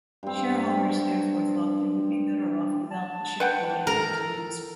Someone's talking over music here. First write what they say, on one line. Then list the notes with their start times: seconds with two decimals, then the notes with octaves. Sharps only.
Shareholders therefore thought they would be better off without the shipbuilding activities.
0.23 G2 C4
2.91 A5
3.40 B4 F#5 G5
3.87 A4 A#4